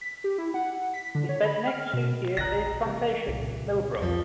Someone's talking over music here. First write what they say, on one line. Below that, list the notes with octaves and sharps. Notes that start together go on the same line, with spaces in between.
He spent the next two years at his plantation, Milbrook.
B6
G4
E4
F#5
B6
D3
C#5
B5
F6
B2
F1 A#1 D3 D#5 G5 A#5 F#6 A#6
C3 E3 G3
C2 A#2 C#3
F2 F3